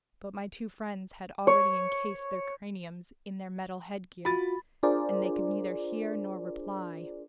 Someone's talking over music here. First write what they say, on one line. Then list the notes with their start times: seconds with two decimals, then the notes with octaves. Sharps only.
But my two friends had already encased their craniums in their metal headgear, and they could neither hear nor reply.
1.47 C#5
4.25 F4 F#4 B5 A6
4.83 D4 F4 G#4 A#4 C5 D5